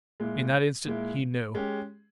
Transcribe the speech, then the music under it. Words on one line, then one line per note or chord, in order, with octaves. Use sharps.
In that instant he knew.
A#2 G#3 E4
A#2 G#3 E4
G#3 C#4 G4